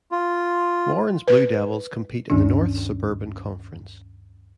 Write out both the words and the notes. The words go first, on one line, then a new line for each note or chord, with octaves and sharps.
Warren's Blue Devils compete in the North Suburban Conference.
F4
B4
D2 G2 D#3 C#4 D4